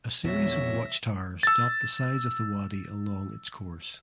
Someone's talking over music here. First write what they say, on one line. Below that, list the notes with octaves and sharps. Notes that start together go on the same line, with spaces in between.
A series of watchtowers dot the sides of the wadi along its course.
F2 B2 C#5 E5 A#6
E6 A6